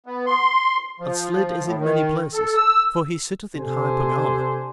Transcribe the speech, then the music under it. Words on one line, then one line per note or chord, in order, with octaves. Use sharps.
And Slid is in many places, for he sitteth in high Pegana.
B3
C6
F3
A2
D#3
A4
E6
C3 D4 A4 C5 G#5